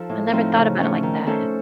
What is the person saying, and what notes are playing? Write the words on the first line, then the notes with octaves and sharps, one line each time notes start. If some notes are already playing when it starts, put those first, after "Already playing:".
I never thought about it like that.
Already playing: F3 D#4 F4 A4
A2
F3 A3 C4 D#4
C#3
A3 C#4
D#3
A3 C#4 A4 C5